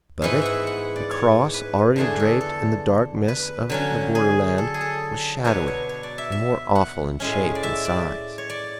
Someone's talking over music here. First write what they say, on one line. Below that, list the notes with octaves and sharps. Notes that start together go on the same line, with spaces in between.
Above it the cross already draped in the dark mists of the borderland was shadowy and more awful in shape and size.
G#2 E3 B3 E4 F#5
E5 F#5
F#5
D5
C#5
B4
E2 D3 A3 D4 G#4
A4
A4
B4
D3 F#3 C#4
G#4
A4
G#4
A4
B2 F#3 B3 D4 C#5
C#5
C#5
D5
E5
E5
F#5
A2 G#3 C#4
D5
E5
D5
C#5
D5